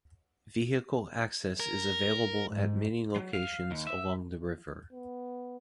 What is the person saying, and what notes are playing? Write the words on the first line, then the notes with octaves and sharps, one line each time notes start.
Vehicle access is available at many locations along the river.
A#4
G#2
F#3
F5
D#2
E5
B3